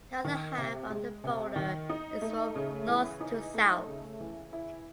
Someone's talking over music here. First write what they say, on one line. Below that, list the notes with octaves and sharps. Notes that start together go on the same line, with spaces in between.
The other half of the boulder is from north to south.
D#3
C3
G#3
C3
D#3
D#4
A3
C#3
E3
D#4
A3
C#3
E3
E4